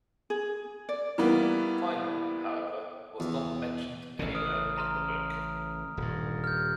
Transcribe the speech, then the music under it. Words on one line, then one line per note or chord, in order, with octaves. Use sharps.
Feinman, however, was not mentioned anywhere in the book.
G#4
D5
E3 G3 A#3 B3
E2
A1 C#3
D#6 F6 D7
A#5 C6 F6
D#1 G2
F6 G6